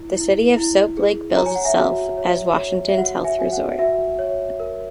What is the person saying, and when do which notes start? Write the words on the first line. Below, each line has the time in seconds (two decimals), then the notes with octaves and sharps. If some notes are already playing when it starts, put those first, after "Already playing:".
The city of Soap Lake bills itself as "Washington's Health Resort".
Already playing: E4
0.17 E4
0.57 E4
0.97 G#4
1.37 C#5 A#5
1.46 G#5
1.55 F#5
1.65 E5 G#5
1.78 F#4
2.17 C#5
2.57 C#5
2.89 E5
2.98 F#4 F#5
3.24 E5 G#5
3.39 F#4 G#5
3.52 F#5
3.79 F#4 E5
4.19 C#5
4.60 A#4